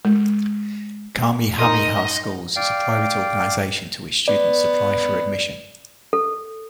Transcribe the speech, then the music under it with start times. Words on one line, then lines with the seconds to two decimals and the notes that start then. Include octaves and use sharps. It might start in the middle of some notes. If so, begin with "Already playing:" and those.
Kamehameha Schools is a private organization to which students apply for admission.
0.05 G#3
1.59 D#4 A#4 D#5 C6
2.56 D5 F5 G5
4.28 B3 D5
6.13 A4